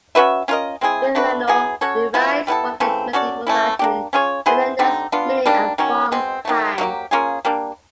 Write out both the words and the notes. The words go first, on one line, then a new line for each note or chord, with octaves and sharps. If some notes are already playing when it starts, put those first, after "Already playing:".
"Villano" derives from the Medieval Latin "villanus", meaning a "farmhand".
C#4 F#4 B4 E5
C#4 F4 A#4 D#5
G#3 C4 E4 G#4
A3 D4 F#4 B4
F#3 B3 E4 G#4
C#4 F#4 A4 C#5
F3 G#3 B3 E4
G3 B3 E4 A4
C#3 E3 A3 C4
C#4 F#4 A4 D5
E3 A3 C#4 E4
A#3 D4 G4
C#4 F4 G#4 C#5
B3 E4 G#4 C5
D3 G3 C4 D#4
B3 D4 F4
D#3 G3 A#3 D4
D#3 F#3 A#3 C#4
B2 G#3 C4
D#3 F#3 A3
F#3 A#3 D#4 G4
A#3 C#4 F4 G#4
G3 A#3 D4